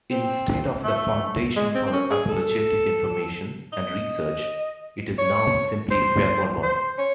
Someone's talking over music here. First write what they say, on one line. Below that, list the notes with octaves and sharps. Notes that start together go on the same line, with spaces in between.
Instead of The Foundation for Apologetic Information and Research, it is now simply FairMormon.
C4
A3
G#3
C4
C4
C#4
G#4
A4
D#5
C#5
C5
C5
C#5